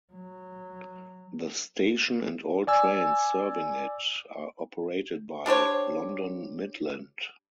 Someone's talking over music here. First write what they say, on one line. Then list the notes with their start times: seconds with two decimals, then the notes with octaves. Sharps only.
The station, and all trains serving it, are operated by London Midland.
0.13 F#3
2.67 D5 G#5 E6
5.46 D4 G4 C5 C#5